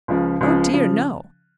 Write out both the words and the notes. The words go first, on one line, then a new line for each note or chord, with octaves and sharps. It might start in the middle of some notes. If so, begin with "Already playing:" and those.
"Oh dear, no!"
C#2 C#3 F3
C#2 C#3 F3
C#3 F3